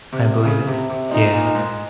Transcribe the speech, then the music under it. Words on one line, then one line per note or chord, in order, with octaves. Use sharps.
I believe it. Yeah.
C3
C#3
C3
C3
A#2 D#4
A#2
G#2